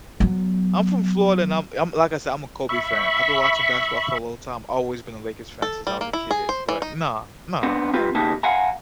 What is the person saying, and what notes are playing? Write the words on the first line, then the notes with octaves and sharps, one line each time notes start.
I'm from Florida and I'm I'm like I said, I'm a Kobe fan. I've been watching basketball for a long time, always been a Lakers fan since I was a kid, but nah, nah, I don't
F#3 B3
E5 B5 C#6
A4
G3
A#3
E4
G#4
C5
E3
D#4
B3 C4 D4
C4 F4 G4 B4
D#2 C#3 A#3 D#4 G4 A5
F5 F#5 G#5 A#5